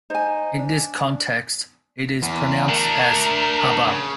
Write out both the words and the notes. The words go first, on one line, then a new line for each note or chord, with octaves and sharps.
In this context, it is pronounced as "h-bar".
D#4 C5 G#5
D4
E2
A3 D4 A#4
C#3